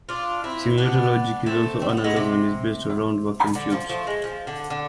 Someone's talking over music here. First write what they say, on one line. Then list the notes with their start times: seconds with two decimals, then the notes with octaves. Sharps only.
Simulator logic is all analog and is based around vacuum tubes.
0.09 D4 F4
0.44 C4 E4
0.78 B3 D4
1.46 A3 C4
1.82 C4
1.89 B3
1.97 A3
2.04 G#3 B3
2.16 C3
3.55 D3
3.72 F3
3.89 F3 A3
4.07 G#3
4.24 F3
4.47 D3
4.70 D3